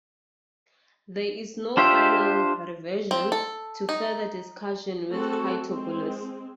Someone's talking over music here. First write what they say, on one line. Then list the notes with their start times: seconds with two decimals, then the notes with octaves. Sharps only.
There is no final reversion to further discussion with Critoboulos.
1.77 D4 F4 G4 C5 E5
3.11 C4
3.32 A4
3.89 D#4
5.11 A3 C4 F#4 G#4 A4
5.67 G#3 C4